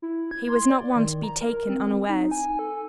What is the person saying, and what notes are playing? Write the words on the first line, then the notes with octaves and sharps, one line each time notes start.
He was not one to be taken unawares.
E4
G#6
C6
D5
D#3
A#5
A#4
C4
D#4
G#5
A4